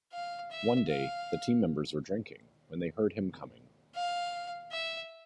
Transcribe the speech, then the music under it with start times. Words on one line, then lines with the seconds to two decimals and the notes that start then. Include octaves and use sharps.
One day, the team members were drinking, when they heard him coming.
0.12 F5
0.51 E5
0.89 F5
3.95 F5
4.72 E5